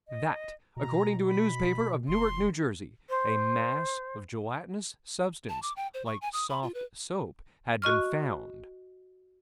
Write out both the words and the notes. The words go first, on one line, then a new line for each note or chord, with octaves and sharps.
That, according to a newspaper, of Newark, N.J., a mass of gelatinous substance, like soft soap, had been found.
D#5
B2 A#5
B5
F1 C6
C5
A5
D6
G5
C5
C#6
G#5
D#6
B5
F4
B4
F#4 D#5 C#6 F6